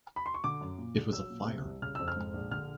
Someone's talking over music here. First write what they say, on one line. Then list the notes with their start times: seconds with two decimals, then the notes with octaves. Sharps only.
It was a fire.
0.16 B5
0.26 C6
0.34 C#6
0.44 D3 D6
0.61 F#2
0.78 A#2
0.96 A#1
1.12 F#3 E6
1.30 A#2
1.47 C3
1.65 C2
1.82 C#3 F6
1.95 F2 E6
2.08 F6
2.16 G#2
2.34 A#1
2.51 D3 F6